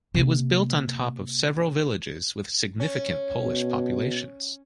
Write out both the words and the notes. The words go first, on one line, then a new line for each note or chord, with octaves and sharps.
It was built on top of several villages with significant Polish populations.
C3 A#3
C#4
B2